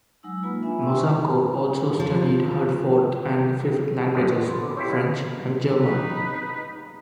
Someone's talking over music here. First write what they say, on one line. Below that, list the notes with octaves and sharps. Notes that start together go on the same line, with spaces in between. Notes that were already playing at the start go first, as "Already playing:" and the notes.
Masako also studied her fourth and fifth languages, French and German.
F#3 G#3 D#4 E6
A#3 F4 B4 B5
D4 E5 G#5
E5 G5 G#5 C6 C#6 E6
F3
F#2 D3 F3 F#3 G#3 A3
D#3
B3 C5
D3
E4 G4 A4 C5 C#5
D#3 A#3
D#4 B4